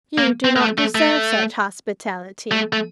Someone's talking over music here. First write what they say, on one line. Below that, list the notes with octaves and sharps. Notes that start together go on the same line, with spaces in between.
You do not deserve such hospitality.
A#3
C4
A#3
A3
A3
A3
A3
A3